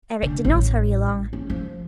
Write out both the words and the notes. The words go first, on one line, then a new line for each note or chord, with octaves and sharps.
Eric did not hurry along.
D3
A1
C#4
F3